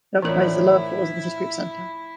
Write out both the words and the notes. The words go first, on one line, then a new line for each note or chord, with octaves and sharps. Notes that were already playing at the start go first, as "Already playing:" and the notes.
It occupies the lower floors of the Citigroup Center.
A2 E3 F3 E4 A#4 C#5 D5 A#5